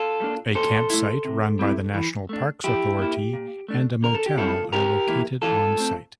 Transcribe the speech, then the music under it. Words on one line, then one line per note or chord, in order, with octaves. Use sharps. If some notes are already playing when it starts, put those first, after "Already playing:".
A campsite, run by the National Parks Authority, and a motel are located on-site.
Already playing: F4 A4
G3 A#3 D4
A#2 A4 C5
A3 E4
C3
G3 C4 E4
E3
A3 D4
F3 E4 G4
A#3 E4
A#2
A3 D4
D3 A#4
A4
G4
G3 C4 E4 F4 A4
C3 G4 A#4
E3 A#3 E4
E3 F4 A4
A3 C4